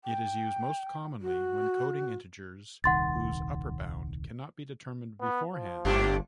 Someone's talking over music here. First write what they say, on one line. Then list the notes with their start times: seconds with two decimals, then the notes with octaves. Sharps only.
It is used most commonly when coding integers whose upper-bound cannot be determined beforehand.
0.04 G5
1.22 F#4
2.84 D#1 C2 D#3 F#5 C6 A6
5.21 B3
5.52 F3
5.85 G1 G#2 A#3 D4 G4